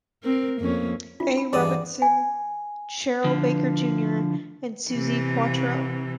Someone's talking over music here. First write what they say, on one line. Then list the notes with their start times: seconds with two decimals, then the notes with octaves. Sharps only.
A. Robertson, Cheryl Baker, Junior and Suzi Quatro.
0.24 C4 A#4
0.60 F2 A#3 C#4
1.20 C4 D4 E4 F4
1.38 B5
1.53 E2 G2 G4 G#4 D5 D#5
2.02 G#5
3.24 D3 F3
4.90 C3 E3